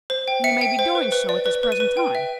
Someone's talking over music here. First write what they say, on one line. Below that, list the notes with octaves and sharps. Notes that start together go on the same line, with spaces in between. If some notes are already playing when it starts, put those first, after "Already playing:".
'He may be doing so at this present time.'
C5
G5
E5 C#7
G5
C5
B4
B4
D5
B4
B4
D#7
B4
G5
E5